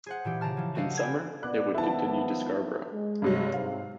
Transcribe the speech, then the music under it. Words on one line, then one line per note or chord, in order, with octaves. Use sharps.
In summer it would continue to Scarborough.
G#4 C5 F#5
A#2 E3 G4
C#3 A#4 A5 F6
E3 F3
F#4 G4 A4 D#5 F5 F#5
G5 G#5 B5 F6 G#6
A#2 B3 D5 F#6
D#3 F3 B3 E4 A5
G#3
G2 C3 F#3
G#2 C3 F5